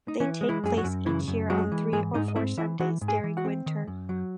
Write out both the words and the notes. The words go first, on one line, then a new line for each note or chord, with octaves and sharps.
They take place each year on three or four Sundays during winter.
D#4
E3 C#4
G#3
E3 E4
F#2 G#4
F#3 F#4
F#2
C#3 E3 E4
F#2
F#3 G#3 F#4
E3
G#2 G#3 G#4
G#2 D#4 D#5
D#5
C4 E4 E5
E3 E4 E5
E3 F#4 F#5
G#2
G#4 G#5
E3
F#4 F#5
C4
D#3
F#2
F#3